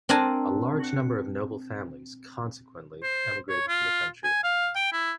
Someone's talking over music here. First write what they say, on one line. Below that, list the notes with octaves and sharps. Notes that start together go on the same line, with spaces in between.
A large number of noble families, consequently, emigrated from the country.
C4 D4 A#4 G#5 A5
C5
C#5
F4
G#5
F5
G5
E4